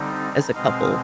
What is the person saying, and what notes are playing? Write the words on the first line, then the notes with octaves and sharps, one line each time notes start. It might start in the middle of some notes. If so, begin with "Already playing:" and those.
as a couple.
Already playing: D3 G3 C4 D#4
B2 G#3 C4 D#5 F5